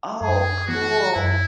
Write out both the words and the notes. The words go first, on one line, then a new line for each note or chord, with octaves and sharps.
Oh, cool!
F#2 G#4
E3 B3 F#4
F#2 E4